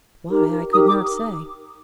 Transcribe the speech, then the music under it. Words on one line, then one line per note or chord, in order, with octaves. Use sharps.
Why, I could not say.
D#4 G4 A#4
D#4 G4 A#4 D#6
D6